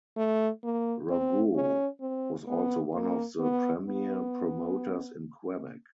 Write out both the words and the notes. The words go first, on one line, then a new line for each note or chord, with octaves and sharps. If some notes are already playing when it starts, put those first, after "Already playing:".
Rougeau was also one of the premier promoters in Quebec.
A3
A#3
C4
C#4
C4
B3
A#3
B3
B3